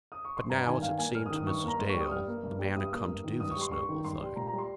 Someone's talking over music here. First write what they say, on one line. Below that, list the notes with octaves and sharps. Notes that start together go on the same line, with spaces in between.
But now, as it seemed to Mrs. Dale, the man had come to do this noble thing.
D#6
C#6
C6
G2 A#5
D#3 G#5
G2 F5
A#3 G#5
G2 F6
D#6
D#3
D#6
G2 C#6
A#3 A#5
G2 C6
C#6
G3
D#6
G2 F6
A#3
G2
G3
G2 D#6
A#3
G2
D#3
G2 D#6
C#6
G3
C6
G2 C#6
D#3
G2 C6
G3
A#2 A#5
A#5
G3
C6